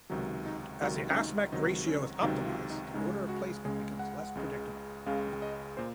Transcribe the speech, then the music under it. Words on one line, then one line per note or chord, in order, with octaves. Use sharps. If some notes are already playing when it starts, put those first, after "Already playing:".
As the aspect ratio is optimized, the order of placement becomes less predictable.
C#2 C3 D#3 F#3 D#4
D#4
C#2 C3 D#3 F#3 D#4
C#4
D#4
C#2 C3 D#3 F#3 D#4
C#4
C#2 C3 D#3 F#3 D#4
F4
D#4
C#2 C#3 G#3 D#4
F#4
C#2 C#3 G#3 G#4
F#5
C#2 C#3 G#3
C#2 C#3 G#3 F5
D#5
A#2 C5